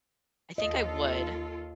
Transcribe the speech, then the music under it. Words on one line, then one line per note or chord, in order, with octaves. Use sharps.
I think I would,
D#2 F4 A4 D#5